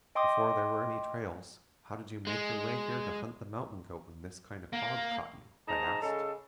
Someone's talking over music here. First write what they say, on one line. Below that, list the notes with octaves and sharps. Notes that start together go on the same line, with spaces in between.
'Before there were any trails, how did you make your way here to hunt the mountain goat when this kind of fog caught you?' I asked.
D#5 G5 C6 D6 D#6
G#3
A#3
G#2 D#4 A5 A#5
C#3 G#3 A4